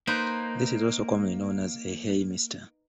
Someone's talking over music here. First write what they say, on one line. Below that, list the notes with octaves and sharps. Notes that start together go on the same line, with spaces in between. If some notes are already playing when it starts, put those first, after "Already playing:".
This is also commonly known as a "Hey Mister".
A#3 D#4 B4 C5